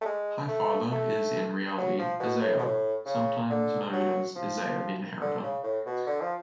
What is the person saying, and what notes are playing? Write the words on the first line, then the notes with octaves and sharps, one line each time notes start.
Highfather is in reality Izaya, sometimes known as Izaya the Inheritor.
A3
G#3
A3
A3
F#3
F3
B2
A2
B2
A2
C#3
D3
F#3
F3
D3
C#3
A2
B2
D3
F3